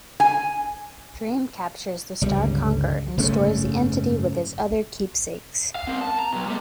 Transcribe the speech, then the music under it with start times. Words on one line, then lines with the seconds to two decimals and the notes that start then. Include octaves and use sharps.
Dream captures the Star Conqueror and stores the entity with his other keepsakes.
0.20 G#5
2.21 G1 C#2 G3
3.17 F#1 G#2 A3 C#4
5.75 F5
5.87 C4 A#4
6.01 A5
6.19 A#5
6.33 B2 F#3
6.47 G3 A3